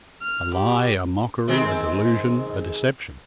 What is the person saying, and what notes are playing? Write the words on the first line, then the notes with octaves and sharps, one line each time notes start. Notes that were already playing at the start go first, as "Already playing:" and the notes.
A lie, a mockery, a delusion, a deception!
F6
G4
D#3 G#3 C4